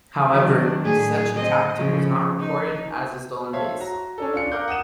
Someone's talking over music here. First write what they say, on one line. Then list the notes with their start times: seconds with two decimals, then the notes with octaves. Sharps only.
However, such a tactic was not recorded as a stolen base.
0.31 D#3 F#3 D4
0.83 A2 F#3 G#4
1.36 C4 D#5
1.76 C#3 F3
2.40 D#4
3.53 C5 C#5 E5 F5 A5
3.80 F#4 A#5
4.18 C#4 D4 A4
4.34 D4 F4 C#7
4.52 A#4 F5 D6 F#6 G6
4.68 F#5 D#6 D#7 E7